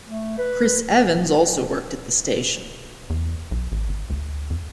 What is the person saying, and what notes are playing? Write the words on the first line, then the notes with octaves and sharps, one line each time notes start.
Chris Evans also worked at the station.
A3
B4
E2
B1
A1
G#1
D2
F2